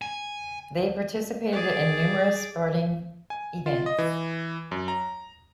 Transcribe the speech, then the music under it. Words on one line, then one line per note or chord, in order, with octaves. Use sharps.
They participated in numerous supporting events.
G#5
G#4 D5
G#5
F4
D#5
E3
F#2
A#5